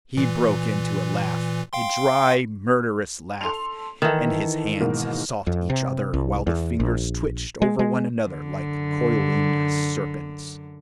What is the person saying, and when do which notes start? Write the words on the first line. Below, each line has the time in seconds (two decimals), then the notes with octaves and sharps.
He broke into a laugh, a dry, murderous laugh, and his hands sought each other while the fingers twitched over one another like coiling serpents.
0.17 A#2 E3
1.73 F5 G5 C6
3.41 A4 C6 F7
4.02 D#3 E3 A4
4.80 G#2 B2 A#3
5.47 F2
5.70 C3
6.14 C2
6.47 E2
6.80 A#1
7.62 G#3
7.79 G#3
8.28 F#2 D3